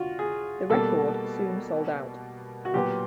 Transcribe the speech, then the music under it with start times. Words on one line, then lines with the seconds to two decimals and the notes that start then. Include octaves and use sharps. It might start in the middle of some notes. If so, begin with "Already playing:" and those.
The record soon sold out.
Already playing: F4 F#4
0.19 G#4
0.70 B2 G3 A#3 A4
2.65 F#4
2.74 A#2 F#3 B3 G4